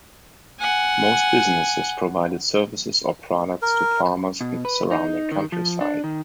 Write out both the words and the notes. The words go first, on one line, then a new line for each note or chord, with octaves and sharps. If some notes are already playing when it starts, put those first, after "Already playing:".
Most businesses provided services or products to farmers in the surrounding countryside.
F#5 G#5
A#4
B2
B4
D#4
D#3
F3
D4
D#3